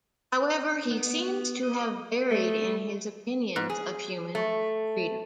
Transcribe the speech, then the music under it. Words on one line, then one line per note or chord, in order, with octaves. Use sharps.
However, he seems to have varied in his opinions of human freedom.
B3
D#5
A3
G#2
G#4
A3